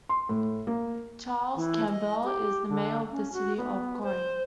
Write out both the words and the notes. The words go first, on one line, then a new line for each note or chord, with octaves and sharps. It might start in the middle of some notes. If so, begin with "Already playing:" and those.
Charles Campbell is the mayor of the city of Corry.
C6
A2
A#3
E3
D#5
G4
D3
C#4
F#4
B3
C5